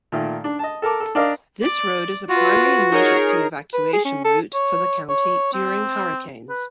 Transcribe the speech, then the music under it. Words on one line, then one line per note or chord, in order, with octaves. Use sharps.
This road is a primary emergency evacuation route for the county during hurricanes.
A#2 D#3 A3
D4
D#5 A5
A4 A#4 A5 D6
A4
D4 A#4 D5 D#5 F5 D6
D5
F4 F#4 B4
D#4 G#4 A#4 C#5
B4
G#4
C#4
A4
C#5
C#5
C4
B4